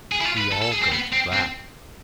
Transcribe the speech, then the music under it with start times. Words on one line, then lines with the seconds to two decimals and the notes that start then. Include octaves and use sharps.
We all go to that.
0.12 G#4
0.21 E4
0.25 F4
0.38 B4
0.52 A4
0.62 A4
0.72 G#4
0.82 C4
0.92 B3
1.12 C4
1.32 C4